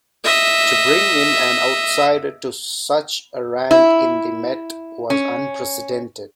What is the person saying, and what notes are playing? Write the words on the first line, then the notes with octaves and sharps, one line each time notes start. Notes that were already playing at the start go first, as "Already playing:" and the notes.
To bring in an outsider to such a rank in the Met was unprecedented.
D#5 E5
E4
C#4